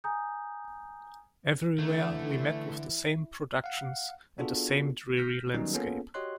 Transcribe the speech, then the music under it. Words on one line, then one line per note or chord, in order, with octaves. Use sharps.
Everywhere we met with the same productions, and the same dreary landscape.
G#5 A#5 D#6 G6
D3 E3 A3 E4
F5 F#5
B3 D4 F4 F#4 G#4 A4
F6 G6 A#6 B6
D#3 F#3 G3 B3 C#4 D#4
A#3 B3 C#4 F4 G#4 A4
F#4 G4 C#5 D#5 C6 F#6